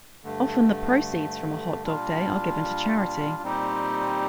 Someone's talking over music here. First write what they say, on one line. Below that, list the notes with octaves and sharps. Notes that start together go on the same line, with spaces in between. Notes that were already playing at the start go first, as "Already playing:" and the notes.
Often the proceeds from a hot dog day are given to charity.
G2 D3 A3
A#2 G3 D4 F4
A#2 G3 C4 D#4 G4